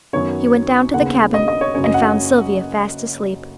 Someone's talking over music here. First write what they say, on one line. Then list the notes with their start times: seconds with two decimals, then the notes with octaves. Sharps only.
He went down to the cabin, and found Sylvia fast asleep.
0.13 F#2 D#3 F#3 B3 C#5
0.94 D#2 C#3 B3 F#5
1.34 D#5
1.48 D#5
1.61 C#5
1.74 F#1 F#2 F#3 C#4 C#5
1.84 D#5
1.94 F#5